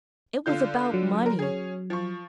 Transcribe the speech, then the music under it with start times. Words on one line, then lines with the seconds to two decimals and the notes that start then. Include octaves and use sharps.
'It was about money.
0.46 D3 F4 G6
0.94 F#3
1.26 A#4
1.39 C#4 G#4
1.90 F3 C#6